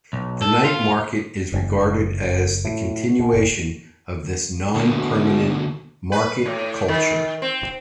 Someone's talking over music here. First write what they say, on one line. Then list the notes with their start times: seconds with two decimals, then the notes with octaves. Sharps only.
The night market is regarded as the continuation of this non-permanent market culture.
0.13 B1
0.42 A4
0.64 F4
1.52 F#1
2.65 A2
3.20 B2
3.33 F#1
4.75 D2 B2
6.12 B4
6.46 A2
6.88 D#3
7.42 C4